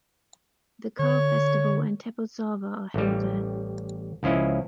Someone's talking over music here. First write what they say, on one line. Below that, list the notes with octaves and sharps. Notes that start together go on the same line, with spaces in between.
The car festival and 'Teppotsava' are held there.
D3 C#5
A1 G3
C#2 F3 C#4 E4 D#5